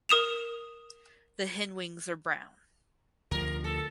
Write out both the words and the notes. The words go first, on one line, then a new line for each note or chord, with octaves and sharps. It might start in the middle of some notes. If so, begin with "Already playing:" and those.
The hindwings are brown.
A#4 D#6 E7 F7
D2 F3 A#4
A4